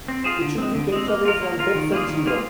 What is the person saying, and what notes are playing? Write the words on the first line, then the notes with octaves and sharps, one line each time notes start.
It should be kept away from pets and children.
C4
F4 G#4 C5
D3
G#3 C4
D3
G#3 C4
A#3
F4 A#4
A#3
F4 A#4
D#3
G3 A#3 F4 G#4
D#3
G3 A#3 F4 G#4